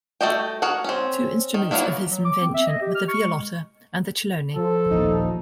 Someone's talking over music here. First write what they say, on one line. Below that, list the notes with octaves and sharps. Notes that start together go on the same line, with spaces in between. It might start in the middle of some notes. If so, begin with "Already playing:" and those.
Two instruments of his invention were the violotta and the cellone.
A3 F#4 D#5 G5
F#4 G#4 A#4 F#5
C4 C#4
D#3
F#3 G3 A#3 B3 E4
F#3
D6
C4
E5
D#5
G4
F6
C#6
G#3
F3 A4
A#1 D#2 A#2 D#4